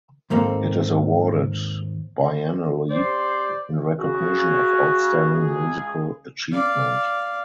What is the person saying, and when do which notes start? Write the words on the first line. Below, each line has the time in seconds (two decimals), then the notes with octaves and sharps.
It is awarded biennially in recognition of outstanding musical achievement.
0.30 D#2 G#2 A#3 C4 A4
2.91 C4 G4 C5 D5
3.98 C#3 F#4
5.30 C#2 G#4
6.52 D5 F5